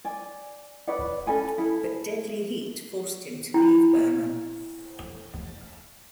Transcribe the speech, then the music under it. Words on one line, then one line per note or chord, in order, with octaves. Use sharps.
But deadly heat forced him to leave Burma.
D5 G#5
B4 C#5 D5 F#5
C#4 A4 G#5 B5
E4 A4
D4 E4 G5